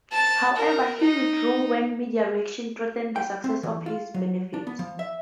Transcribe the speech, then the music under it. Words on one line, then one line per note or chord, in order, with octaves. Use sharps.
However, "he withdrew when media reaction threatened the success of his benefit".
A5
A#4
D#4
G5
C4
E3
F4
F#3
D4
B3
F3
E5